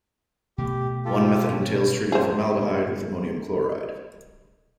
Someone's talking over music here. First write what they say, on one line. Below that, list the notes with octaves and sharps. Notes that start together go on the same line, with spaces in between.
One method entails treating formaldehyde with ammonium chloride.
B2 A3 G4
F4 G4 A4
C#4
G#4 C5